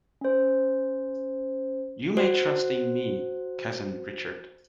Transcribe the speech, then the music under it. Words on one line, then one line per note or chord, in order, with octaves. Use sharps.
You may trust in me, cousin Richard.
C#4 C5
F#4 C5